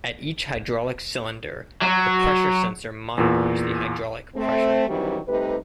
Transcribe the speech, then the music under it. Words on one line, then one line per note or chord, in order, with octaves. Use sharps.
At each hydraulic cylinder, a pressure sensor monitors the hydraulic pressure.
F#3
E2 A#2
A3 C4
G2 D#3 E3 F#3 G3 C4
C3 G3 A3 D#4 B4